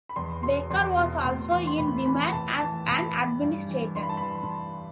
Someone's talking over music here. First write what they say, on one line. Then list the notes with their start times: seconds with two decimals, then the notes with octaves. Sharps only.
Baker was also in demand as an administrator.
0.09 B5
0.16 E2 C6
0.43 B2 C6
0.70 E2 C6
0.97 B2 C6
1.24 A2 C6
1.51 E3 C6
1.67 C6
1.78 A2 B5
2.06 E3 B5
2.32 A2 A5
2.60 E3 A5
2.87 A2 B5
3.14 E3
3.42 G2
3.68 E3
3.95 G2 C6
4.03 B5
4.09 A5
4.17 B5
4.23 E3